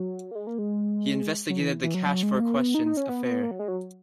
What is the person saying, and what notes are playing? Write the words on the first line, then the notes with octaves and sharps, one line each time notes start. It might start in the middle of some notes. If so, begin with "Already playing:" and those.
He investigated the Cash-for-questions affair.
Already playing: F#3
A#3
G#3
A#3
G#3
F#3
E3
E3
F#3
F#3
G#3
A#3
B3
D#4
D#4
C#4
B3
B3
A#3
F#3
G#3
F#3